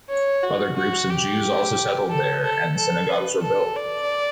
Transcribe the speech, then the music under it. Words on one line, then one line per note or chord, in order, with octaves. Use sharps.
Other groups of Jews also settled there, and synagogues were built.
C#5
F#4
F#4
G4
A4
A4
A4
B4
A4
D5